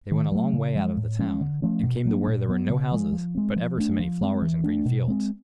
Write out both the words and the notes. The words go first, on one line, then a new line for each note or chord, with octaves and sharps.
They went a long way out of the town, and came to where there were no houses, but ever so many flowers and green fields.
D#3
F#3 A3
C#3
F3 G#3
A2
F3 G#3 C#4
D3
F3 A3 C#4
B2
F#3 A#3 D4
A#2
F#3 B3
C#3
F3 G#3
F3
G#3 C4
F3
A3 D4
F3
G#3 C4
E3
A3 D4
B2
G#3 C4